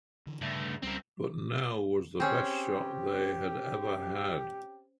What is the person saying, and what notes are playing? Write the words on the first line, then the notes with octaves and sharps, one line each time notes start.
But now was the best shot they had ever had.
D3 E3
G2 C#3 A3
C#2 G3 C4 C#4 A#4
C4 C#4 G4 G#4